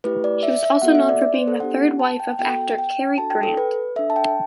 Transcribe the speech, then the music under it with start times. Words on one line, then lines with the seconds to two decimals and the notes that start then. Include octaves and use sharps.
She was also known for being the third wife of actor Cary Grant.
0.04 A3 E4 G4 B4
0.24 D5
0.43 E5
0.63 E5
0.82 B3 F#4 A4 F#5
0.95 E5
1.09 D5
1.21 D5
1.34 C5
1.48 A4
1.60 B3 D4 G4 F#5
1.99 A5
2.20 G5
2.39 B3 F#4 A4 G5
2.78 G5
3.18 D4 F#4 A4 A5
3.30 G5
3.43 A4
3.57 B4
3.96 A4 E5
3.99 D4
4.10 A5
4.16 G5